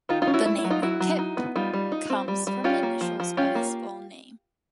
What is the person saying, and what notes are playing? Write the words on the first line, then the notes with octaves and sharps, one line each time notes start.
The name "Kip" comes from the initials of his full name.
D#3 D#4 F4
D#4 F4
C#4
E4 F#4
A3 E4
E4
F#3
D#4 F4
F#3 E4 F#4
F#3
D#4
B3
G3 D#4 F4
G3
D#4
C4
G3
G3
C#4 F4 G4
A#3
F3
F3
C#4 F4 G4
A#3